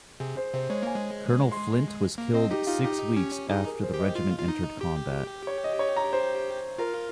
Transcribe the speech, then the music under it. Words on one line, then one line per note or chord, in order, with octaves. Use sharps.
Colonel Flint was killed six weeks after the regiment entered combat.
C3 G#4
C5
C3 C5
G#3 C#5
A#3 G#5
G#3
C6
A#3
C4 D#5
D#4 G4
D#4 F4
D#4 G4
C#4
D#4 G#4
A#4
C5
G4
D#5
F4
F4
D#4
G4
C#5
D#5
C#5
A#5
C5
F4 A#4